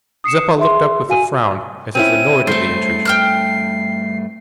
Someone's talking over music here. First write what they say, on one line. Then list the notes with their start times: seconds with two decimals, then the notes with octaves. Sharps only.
Zeppa looked up with a frown, as if annoyed at the intrusion.
0.24 D#6 C7 C#7 E7
0.58 G#4 E5 C6
1.09 F#4 F5 G#5 D#7
1.95 C4 C#4 E4 D#7
2.47 G2 A3 C5 C6 C7
3.05 G5 F6 F#6